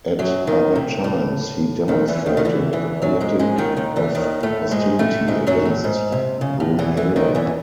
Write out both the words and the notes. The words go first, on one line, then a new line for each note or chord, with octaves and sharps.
At other times, he demonstrated a politic of hostility against Brunhilda.
F#2 F#3
D#2 D#3
C3
A2
D#2 D#3
E2 E3
D#2 D#3
D#3
E2 E3
E2 E3
F#2 F#3
G#2 G#3
G#2 G#3
D#2 D#3
D#2 D#3
E2 E3
D#2 D#3
A2 A3
G#2 G#3
A2 A3
G#2 G#3
F#2 F#3
A2
G#2
C3
C#3
A2
E2 E3
E2 E3
D#2 D#3
E2 E3